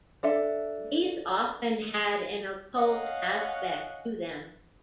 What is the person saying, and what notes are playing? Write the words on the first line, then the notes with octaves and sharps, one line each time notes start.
These often had an occult aspect to them.
D4 A4 E5
C#4 D#5 F5 F#5